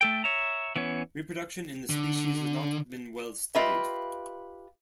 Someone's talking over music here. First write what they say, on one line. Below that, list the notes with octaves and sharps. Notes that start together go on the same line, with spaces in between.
Reproduction in the species has not been well studied.
A3 A4 G5
C#5 E5 A#5
E3 B3 C#4 C#5
D3
F4 G4 B4 D#5 E5